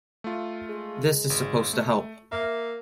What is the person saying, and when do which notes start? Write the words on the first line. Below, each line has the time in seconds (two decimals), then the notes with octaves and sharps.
This is supposed to help.
0.24 A3 F4
0.69 G#3
1.30 G#1
1.73 A3
2.32 A#3 E5